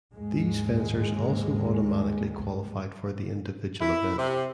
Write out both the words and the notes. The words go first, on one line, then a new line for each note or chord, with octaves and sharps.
These fencers also automatically qualified for the individual event.
D#2 G#2 G#3
E4
C3